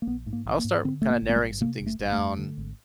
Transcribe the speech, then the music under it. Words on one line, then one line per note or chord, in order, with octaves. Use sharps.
I'll start kinda narrowing some things down
A#3
A#1 B3
G#2 A3
A#3
A#1
A#3
G#2
D3 C4
G#1 A3
A#3
G#1
A#3
A3
G2
C3 A#3
F#1
A3
F#1
A3
F2
D3
G#1